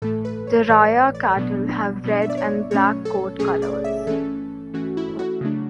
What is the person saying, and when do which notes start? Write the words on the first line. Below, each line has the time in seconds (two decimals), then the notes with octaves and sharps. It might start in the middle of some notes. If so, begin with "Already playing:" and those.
The Raya cattle have red and black coat colours.
0.02 A2 E3 A3 A4
0.25 B4
0.47 C#5
0.69 A2 E3 A3 D5
1.15 D5
1.36 B2 F#3 B3 D4
2.04 B2 F#3 B3 D4
2.22 E5
2.30 D5
2.37 C#5
2.71 B2 F#3 A3 C#4 C#5
3.05 A4
3.39 B2 F#3 A3 C#4 G#4
3.62 D5
3.84 E5
4.07 E3 A3 C#4 A4
4.74 E3 A3 C#4 F#4
4.97 E4
5.19 F#4
5.41 C#3 F#3 A3 D4